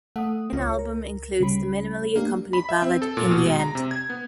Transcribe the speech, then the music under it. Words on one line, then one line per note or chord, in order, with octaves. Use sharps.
In album includes the minimally-accompanied ballad "In the End".
A3 F#5 D#6
C#2 F4 C#5
A#4
C#3 G3 B5
A3 A#3 D4 G4
B5
E5
C4
A4
A#2
B2
G#3
A#5
C3
G#6
B3